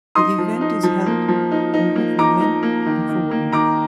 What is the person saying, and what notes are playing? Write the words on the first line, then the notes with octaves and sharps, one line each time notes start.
The event is held over for men and for women.
D#4 C6 D#6
F3
D#4
F3
A#3
F3
D#4
D#4
A#3
D#4 A#5 D6
D#4
A#3
D#3
D#3
A#3
D#3 A#5 D6